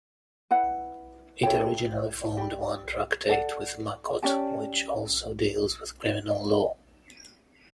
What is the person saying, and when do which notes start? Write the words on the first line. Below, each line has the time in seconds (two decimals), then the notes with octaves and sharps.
It originally formed one tractate with Makkot, which also deals with criminal law.
0.51 E4 B4 F#5
1.43 E4 A4 C#5 G5
2.37 G4 D5 G5 B5
3.29 A4 D5 F#5
4.22 C#4 G4 D5 A5